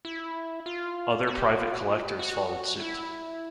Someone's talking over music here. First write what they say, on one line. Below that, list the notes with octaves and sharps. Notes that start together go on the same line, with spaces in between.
Other private collectors followed suit.
E4
F4
F#4
G4
F#4
F4
F#4
F4
G4
F#4
E4